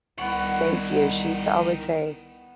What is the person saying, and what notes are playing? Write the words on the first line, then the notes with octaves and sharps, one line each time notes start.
Thank you. She used to always say,
C2 D#3 B3 F#5 C#6